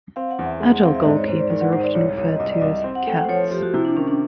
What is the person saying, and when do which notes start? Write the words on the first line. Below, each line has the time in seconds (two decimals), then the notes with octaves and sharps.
Agile goalkeepers are often referred to as cats.
0.16 C4 F5
0.31 F#5
0.39 E2
0.45 E5
0.60 G#3 F#5
0.72 F#5
0.83 C4 F5
0.94 E5
1.01 D5
1.05 G#2 D#5
1.17 C#5
1.28 G#2 C5
1.39 D5
1.50 D#3 D5
1.61 F#5
1.73 G#2 C5
1.84 D5
1.95 C2 C#5
2.17 C2 C#5
2.28 D#5
2.40 C2 D#5
2.50 D5
2.60 C2 D#5
2.84 C4
2.95 F#5
3.07 A3 G5
3.18 F#5
3.24 C5
3.29 F3 C#5
3.51 F3 G4
3.63 F#4
3.74 C3 E4
3.85 D4
3.97 D#3 C#4
4.08 D4